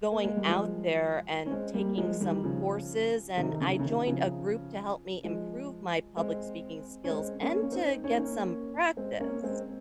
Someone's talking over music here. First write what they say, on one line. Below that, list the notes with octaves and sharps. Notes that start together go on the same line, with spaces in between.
going out there and taking some courses, and I joined a group to help me improve my public speaking skills, and to get some practice.
A#3
G#3
G3
F3 G#3
C#4
G#3 C4
G3 A#3
F3 G#3
D#3 G3
C#3 F3
C3 D#3
D#3
C#3
C#3
C3 D#3
C#3 F3
F3 G#3
G#3 C4
C#4
G#3 C4
A#3 C#4
C#4
C4 D#4
C#4
D#4
A#3 C#4
G#3 C4
A#3 C#4
G#3 C4